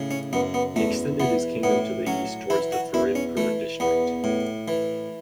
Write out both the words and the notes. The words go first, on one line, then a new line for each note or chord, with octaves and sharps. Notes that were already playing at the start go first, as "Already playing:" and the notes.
He extended his kingdom to the east towards the Faridpur district.
Already playing: A2 C#3
C#4
F#2 B3
B3
E2 A3
E3 B3
A2 B3
F#3 C#4
E3 E4
F#4
E2 E4
C#4
E3 A3
E2 B3
A2
E3